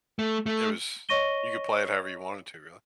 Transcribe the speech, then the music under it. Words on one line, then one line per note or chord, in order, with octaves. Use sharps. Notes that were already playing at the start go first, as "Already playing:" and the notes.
It was you could play it however you wanted to, really.
A3
A3
C#5 D#5 C#6 A#6 D#7 G7